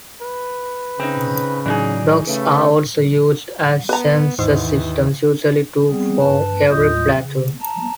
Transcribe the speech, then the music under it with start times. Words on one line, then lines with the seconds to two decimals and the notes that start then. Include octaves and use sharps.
Dogs are also used as sensor systems, usually two for every platoon.
0.22 B4
1.00 C#3 C4 D#4
1.66 A2 E3 F#3 D#4 G#4 D5
2.27 C#3 A3 B4
3.89 B3 B4 A#5
4.39 D#2 G#2 E3
5.89 G3 B3 C4 G#4
6.20 G2 B4 A5
6.70 D#2 A2 F4 D#5 D#6 G6
7.21 C#3
7.61 A5 A#5